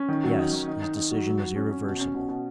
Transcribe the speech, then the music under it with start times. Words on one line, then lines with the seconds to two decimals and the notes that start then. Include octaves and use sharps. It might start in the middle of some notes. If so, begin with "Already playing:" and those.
Yes: his decision was irreversible.
Already playing: C#4
0.08 D#3
0.24 F#3
0.38 D#4
0.53 D#3
0.68 D#4
0.82 D#4
0.97 D#4
1.11 F#3
1.27 F#3
1.40 F#3
1.56 C#4
1.71 C#4
1.85 B2
2.00 C#4
2.14 B2
2.29 B2